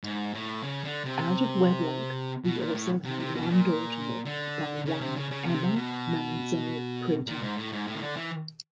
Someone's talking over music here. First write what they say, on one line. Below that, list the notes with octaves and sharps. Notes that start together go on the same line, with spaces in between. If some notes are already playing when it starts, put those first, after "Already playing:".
Out of wedlock, he also had one daughter by one Ema Manso Preto.
G#2
A2
C#3
D3
C3
B2
A#2
A2
C3
C3
B2
A#2
D3
C#3
C3
C#3
C#3
C3
B2
A#2
G#2
A2
G#2
A2
D#3
D3
E3